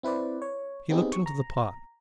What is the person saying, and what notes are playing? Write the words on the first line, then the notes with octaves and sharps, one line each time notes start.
He looked into the pot.
C4 E4 B4 C5 D5
C#5
B3 C4 D#4 G4 G#4
C#6
A#5